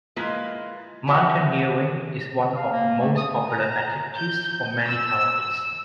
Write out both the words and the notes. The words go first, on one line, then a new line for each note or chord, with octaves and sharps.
Mountaineering is one of the most popular activities for many Taiwanese.
G#3 A#3 E4 F4 B4 D#5
E4 F#4 C5 E5 F#5
F5
A#3
A3
D#6
A#5
G6
E6